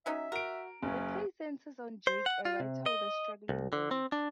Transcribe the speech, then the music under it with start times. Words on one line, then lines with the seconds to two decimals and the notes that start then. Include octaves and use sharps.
The play centers on Jake, a writer with a struggling marriage.
0.06 F#3 C#4 D#4 E5
0.32 F#4 A#4 D7
0.83 F#1 F#2 C#4
2.07 C5
2.26 F#5
2.45 F4
2.60 C3
2.86 D#5
3.49 C2
3.73 D3
3.91 C4
4.12 D4